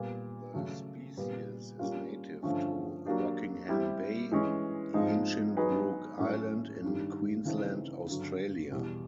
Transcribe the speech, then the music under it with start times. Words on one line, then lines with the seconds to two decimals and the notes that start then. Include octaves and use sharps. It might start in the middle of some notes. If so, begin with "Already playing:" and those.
The species is native to Rockingham Bay, Hinchinbrook Island in Queensland, Australia.
Already playing: A#2 G3 B3
0.54 C#3 F#3 A3
1.17 A#2 G3 B3
1.79 G3 A#3 C#4 F4
2.43 G2 D3 F3 A3 C#4
3.05 F#3 A#3 D4 G4
3.68 G3 C4 E4 G4
4.32 E3 G#3 C#4
4.94 G#2 F3 G#3 C4 D#4
5.57 F#3 B3 D#4 G#4 B4
6.19 A2 F#3 A3 C#4
6.82 G2 D#3 G3
7.45 C#3 E3 A3 C4 D#4
8.08 G2 D3 F#3
8.71 E2 B2 G3